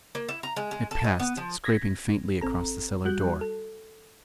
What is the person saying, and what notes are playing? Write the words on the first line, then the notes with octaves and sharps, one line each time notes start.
It passed, scraping faintly across the cellar door.
A#3
E4
A#5
G#3
G#3
A4
D#4
B3
F3
G#6 A#6 B6
G#1 C4 A4 A#5
G3 F#4 F#6 G6
A4